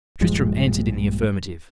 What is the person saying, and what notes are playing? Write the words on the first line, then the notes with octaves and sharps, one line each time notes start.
Tristram answered in the affirmative.
A#1 G2 F3 G#3